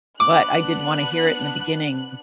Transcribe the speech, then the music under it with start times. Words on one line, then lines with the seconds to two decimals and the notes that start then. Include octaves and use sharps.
but I didn't wanna hear it in the beginning
0.20 B3 D4 D6 F#6